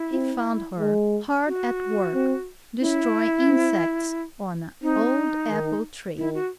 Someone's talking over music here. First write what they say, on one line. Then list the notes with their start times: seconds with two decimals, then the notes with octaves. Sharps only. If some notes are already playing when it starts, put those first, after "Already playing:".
He found her hard at work destroying insects on an old apple tree.
Already playing: E4
0.12 C4
0.79 G#3
1.47 F#4
2.14 C4
2.81 C#4 E4
3.48 C4
4.83 C4 D#4
5.50 D#3
6.18 D#3 E4
6.34 F#4